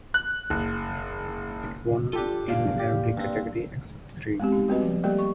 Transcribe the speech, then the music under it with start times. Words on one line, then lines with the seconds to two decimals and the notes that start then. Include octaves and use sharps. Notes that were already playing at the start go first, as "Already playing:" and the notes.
It won in every category except three.
0.14 F#6
0.50 F#1
2.13 D4 F4 G4 A4
2.48 A#3 D5 F5
2.79 G4
3.17 G2 C4
4.40 G#3 B3 C4 G4
4.52 D#4
4.68 G3 A#3 C4 F#4 B4 D#5
4.82 F3
5.04 G3 A3 A#3 G4 A4 D5
5.19 C#6